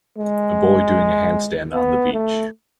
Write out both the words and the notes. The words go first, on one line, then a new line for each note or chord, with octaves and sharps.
A boy doing a handstand on the beach.
G#3
B3
A3